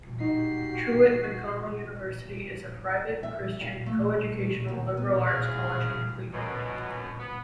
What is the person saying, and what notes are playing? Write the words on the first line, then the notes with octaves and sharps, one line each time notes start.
Truett McConnell University is a private, Christian, coeducational liberal arts college in Cleveland.
D#4 F#4 G4 C7
E5
F5
A3
D#2
B3
F#2 E3 E4 G#4 C#5 F5
F#2 B2
B3